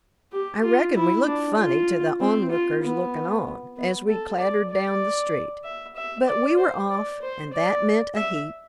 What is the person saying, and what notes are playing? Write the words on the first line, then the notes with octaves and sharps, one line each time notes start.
I reckon we looked funny to the "onlookers looking on" as we clattered down the street; but we were off and that meant a heap.
G4
F4
E4
D4
F4
C4
F4
B3
B3
A4
D5
D5
E5
E5
D5
C5
D5
C5
D5
E5